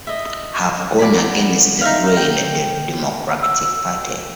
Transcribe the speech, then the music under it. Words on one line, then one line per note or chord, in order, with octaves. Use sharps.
I've gone against the grain in the Democratic party.
D#5 E5
F#4 G#4 D5 B5
D#4 E5 F5
G5
E6